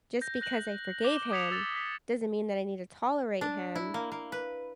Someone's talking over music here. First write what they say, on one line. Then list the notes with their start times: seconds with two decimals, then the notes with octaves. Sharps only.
just because I forgave him doesn't mean that I need to tolerate him
0.21 G6 A#6
0.41 F#6 A#6 F#7
1.04 D6 A#6 E7 F#7 G7
1.31 D6 D#6 G#6 B6 C#7 F7
1.51 D6 E6 A6
1.75 B6
3.41 D4
3.75 E4
3.94 A#3
4.12 A#3
4.32 B4